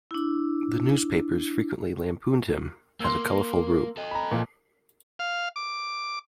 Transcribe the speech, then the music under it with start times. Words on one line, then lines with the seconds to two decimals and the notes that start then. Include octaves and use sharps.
The newspapers frequently lampooned him as a colorful rube.
0.11 D4 E4
3.00 A#3 C6 E6
3.97 A4 D#5
4.11 A#5 B5
4.31 A#2 F3
5.19 F5
5.56 D6